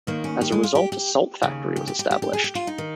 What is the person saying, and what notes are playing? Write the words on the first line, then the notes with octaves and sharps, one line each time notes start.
As a result a salt factory was established.
D#2 D#3 A#3
C#4
G4
G#3
F4
G4
G4
D#2 C#3
G4
G4
G4
G4
G4
G#4
G4
F4
D#4
D#3